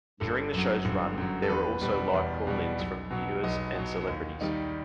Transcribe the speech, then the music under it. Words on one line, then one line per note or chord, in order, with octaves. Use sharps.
During the show's run there were also live call-ins from viewers and celebrities.
G1 A4
F#2 F#3
G1
F#2 F#3
A4
E2 B4
B2 G3
E2
B2 G3
B1
B2 F#3
B1 D#5
B2 F#3
D#2
D#3 G3 D#4